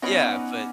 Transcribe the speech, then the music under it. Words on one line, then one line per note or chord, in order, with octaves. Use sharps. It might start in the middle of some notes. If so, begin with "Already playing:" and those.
Yeah, but
B3 C#4 D#4 F#4 B4 D5